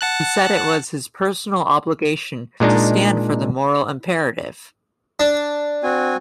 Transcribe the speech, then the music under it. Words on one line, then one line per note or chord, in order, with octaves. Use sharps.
He said it was his personal obligation to stand for the moral imperative.
F#5 A5 F#6
A#2 G#3 D4 D#4
D4
C4 F#4 G#5